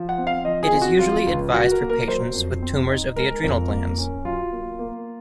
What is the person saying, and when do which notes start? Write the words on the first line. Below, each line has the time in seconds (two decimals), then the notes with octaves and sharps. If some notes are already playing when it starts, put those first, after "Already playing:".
It is usually advised for patients with tumors of the adrenal glands.
Already playing: F3
0.09 F#5
0.18 C4
0.27 F5
0.45 F3 D#5
0.63 G#4
0.72 C4
0.82 F#4
0.99 F3 F4
1.26 C#2
1.54 F#3 F#4
1.72 A#4
1.81 A#3
1.90 A#4
2.08 F#3 C5
2.35 F2
2.62 C4
2.89 D#4
3.16 G#3 A#4
3.44 F2
3.71 A#3
3.98 C#4
4.25 F#3 F4
4.52 A#3
4.79 A#3